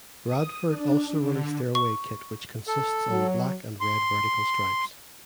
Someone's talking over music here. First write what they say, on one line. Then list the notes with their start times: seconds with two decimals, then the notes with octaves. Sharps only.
Bradford also released their away kit which consists on Black and Red vertical stripes.
0.24 D#6
0.70 D4
1.19 D3
1.75 C#6
2.67 A4
3.09 F#3
3.81 C6